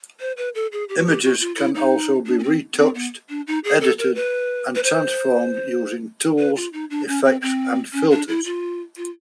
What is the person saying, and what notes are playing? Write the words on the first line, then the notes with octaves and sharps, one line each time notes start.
Images can also be retouched, edited, and transformed using tools, effects and filters.
C5
B4
A4
G#4
G4
F#4
G4
F#4
F4
E4
D#4
D4
C#4
C4
B3
C4
B3
D4
D#4
G#4
A4
A#4
B4
B4
C5
B4
F4
D#4
D4
C#4
C4
C4
C#4
D4
E4
F4
F4